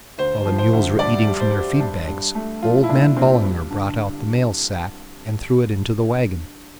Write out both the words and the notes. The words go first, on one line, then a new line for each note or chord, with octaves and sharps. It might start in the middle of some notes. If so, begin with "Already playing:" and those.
While the mules were eating from their feed bags old man Ballinger brought out the mail sack and threw it into the wagon.
D2 C5
F3
C5
D2
G2 D5
G3
C5
G3
G2
G2
A3
F3 F4
E4
A#2 D4
A#2 C4
G2
D3